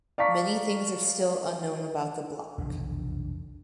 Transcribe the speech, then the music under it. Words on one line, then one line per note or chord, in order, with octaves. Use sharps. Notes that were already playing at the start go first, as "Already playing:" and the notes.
Many things are still unknown about the bloc.
D5 F5 A5 A#5 C#6 B6
F1 B1 E2 D3